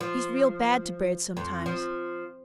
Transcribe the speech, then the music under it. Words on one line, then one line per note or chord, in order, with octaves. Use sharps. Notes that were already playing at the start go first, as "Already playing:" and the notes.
He's real bad to birds sometimes.
F3
F2
F3